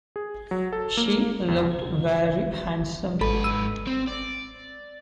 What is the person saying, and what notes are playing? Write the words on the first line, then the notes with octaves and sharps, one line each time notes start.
She looked very handsome.
G#4
F#3
A4
A#3
E2
G#1 G#2 A4 B4 B5
E6 D#7
C4
D5